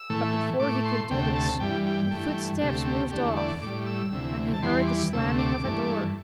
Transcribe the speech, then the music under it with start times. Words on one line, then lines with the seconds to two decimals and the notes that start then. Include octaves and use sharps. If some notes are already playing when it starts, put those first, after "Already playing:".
But before he could do this the footsteps moved off and he heard the slamming of a door.
Already playing: E6
0.10 A2 E3 A3
0.60 A2 A3 D6
0.85 C6
1.11 D2 C3 A3 G5
1.36 A5
1.60 G2 E3 G3 G5
1.86 G5
2.11 G2 E3 A3
2.61 D2 C3 A3 G4
2.86 G4
3.11 E2 D3 A3 G4
3.37 D5
3.62 A2 G3 D6
3.86 E6
4.12 D2 C3 E3
4.54 A5
4.62 E2 E3 G3 C6
4.87 D6
5.13 D2 C3 A3 E6
5.38 D6
5.64 G2 E3 A3